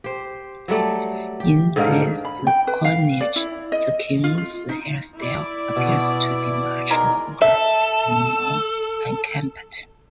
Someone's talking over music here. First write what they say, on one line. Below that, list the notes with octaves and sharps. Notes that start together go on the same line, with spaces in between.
In this coinage the king's hairstyle appears to be much longer and more unkempt.
G4 C5
F#3 G3 A3 D5
G4
G#2 D3 D#3 A#3
B5
G5
B4
F5
D5
E4
D#5
F4
F4
D#4
E4 D5
B2
G#3 D#4 A#4
A4 E5